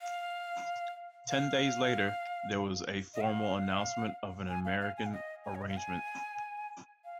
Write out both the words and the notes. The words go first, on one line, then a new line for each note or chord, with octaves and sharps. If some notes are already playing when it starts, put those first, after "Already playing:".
Ten days later, there was a formal announcement of an American Arrangement.
F5
F5
D#5
F5
G#5
F5
F5
G#5
F5
D#5
G#5
C#5
D#5
F5
G#5
F5